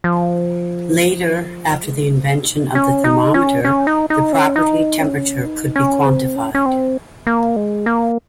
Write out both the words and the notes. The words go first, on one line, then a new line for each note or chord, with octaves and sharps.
Later, after the invention of the thermometer, the property temperature could be quantified.
F3
G#3
C4
D#4
C#4
D#4
C#4
C#4
D#4
D#4
C#4
D#4
C#4
D#4
C#4
C4
C#4
C#4
C4
A#3
G#3
A#3